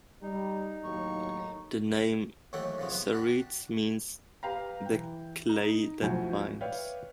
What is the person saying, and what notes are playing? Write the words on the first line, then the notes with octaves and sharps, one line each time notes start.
The name "Seretse" means "the clay that binds".
G3 D#4
D#2 A2 F#3 C#6
D#2 E3 F#3 A3 F#5 G5
G2 C#3 F3 F#3
B3
D4 F#4 G4
G4 B4 F5 G5 A#5
E3 G5
D#4
D2 F3 E4 F#4 G#5 G6
B4 C#5 D5 E5 F5 G5